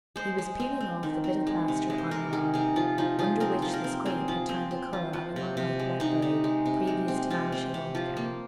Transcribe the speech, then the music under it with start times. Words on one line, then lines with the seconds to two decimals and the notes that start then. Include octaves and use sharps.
He was peeling off the bit of plaster on her arm, under which the scrape had turned the color of an unripe blackberry previous to vanishing altogether.
0.16 G#3 C5
0.38 G#3
0.60 C4
0.81 C4
1.03 D#3
1.24 C4
1.47 G#3
1.68 C3
1.90 G#3
1.98 C5
2.11 C3 A#4
2.33 D#3 G#4
2.54 C3 G#4
2.76 F3 F4
2.98 F3 D#4
3.19 F3 G#4
3.40 C4 A#4
3.62 F3
3.74 A#4
3.84 C4
4.06 C4 G#4
4.28 F3
4.49 C4
4.71 C4
4.93 F3
5.13 F3
5.36 C3
5.57 C3
5.79 G#3
6.00 C3 D#4
6.22 C3
6.44 G#3
6.66 C3
6.87 G#3
7.08 C4
7.30 C3 F4
7.52 C4
7.74 C3
7.95 F3
8.17 A#3